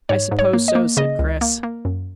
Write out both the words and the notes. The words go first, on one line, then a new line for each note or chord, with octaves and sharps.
"I suppose so," said Chris.
G#2 C#5
G#2
C#5
A#3
D#5
A#3
C#3 D#5
C#2
A#3
A#3
F#2